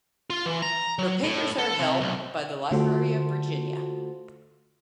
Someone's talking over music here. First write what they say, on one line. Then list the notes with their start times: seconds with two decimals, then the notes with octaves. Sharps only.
Her papers are held by the Library of Virginia.
0.30 F4
0.46 E3
0.62 A#5
0.99 F#3
1.24 A2
1.58 A4
1.79 C3
2.01 B1
2.71 D3 A3 F4 F#4 A4 C5